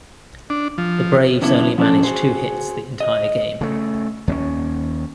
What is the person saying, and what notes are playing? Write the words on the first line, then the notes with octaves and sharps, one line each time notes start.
The Braves only managed two hits the entire game.
D4
F3
F#2 C#3 B3 D4 E4
F3 C#4 D4 A4 D5
F#4 G#4 C5
D#5
C#3 A3
D#2 A#3 C#4